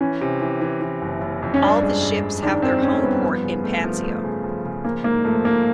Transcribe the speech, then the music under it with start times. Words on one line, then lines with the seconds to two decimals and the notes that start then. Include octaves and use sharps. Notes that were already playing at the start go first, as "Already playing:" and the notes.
All the ships have their home port in Pansio.
0.01 E3 C#4
0.21 C3
0.41 E3
0.61 E3
0.81 E3
1.02 F#1
1.21 F#1
1.42 F2
1.54 C#4
1.62 G2 D4
1.83 G#3
2.02 G2
2.23 G2
2.43 D#3 D4
2.62 G#3 C4
2.83 D#3 C#4
3.03 G2 B3
3.23 F3
3.44 C#3
3.64 A3
3.84 F3
4.04 A3
4.24 C#3
4.44 F3
4.65 C#3
4.85 F3 A#3
5.04 G#2 A#3
5.25 F3 A3
5.44 F3 A#3